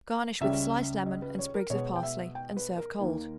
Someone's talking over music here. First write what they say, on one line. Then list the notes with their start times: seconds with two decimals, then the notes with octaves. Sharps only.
Garnish with sliced lemon and sprigs of parsley and serve cold.
0.41 C#2 C#3 G3 C#4 E5
1.06 D#5
1.22 B4
1.39 C#5
1.55 A#4
1.70 B2 G#3 B3 C#5
1.96 G5
2.03 E5
2.35 G5
2.57 B4
2.78 A#4
2.99 D#2 D#3 A#3